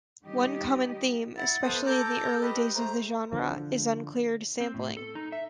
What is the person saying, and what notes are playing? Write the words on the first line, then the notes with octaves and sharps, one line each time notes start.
One common theme, especially in the early days of the genre, is uncleared sampling.
D#3 G3 C#4 D#4 G4 D#5
E4 F#5 A6
B3 A4 C5 D#6
A4 A#5 D6 G6
G4 B4 D#5
A3 C5 A#5
D3 F3
C4
A2
A4
D#4
E5